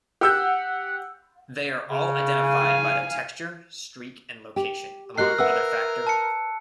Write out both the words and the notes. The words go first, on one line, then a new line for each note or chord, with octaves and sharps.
They are all identified by their texture, streak, and location, among other factor.
G4 F#5 E6 G6
C#3
F5 G#5
G4
F#4 G4 A#4 D#5 F#6 C7
B4 E5 F#5 E6
A5 C#7